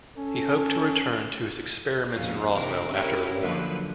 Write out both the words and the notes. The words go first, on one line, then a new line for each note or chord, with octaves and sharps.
He hoped to return to his experiments in Roswell after the war.
C#4 A4
F2 A#2 D3 C#4 F5
C3 E3 B3 C4 D4 A#4
C#4 E4 G4 A#4 B4 C#5
A#2 D3 F3 F#3 B4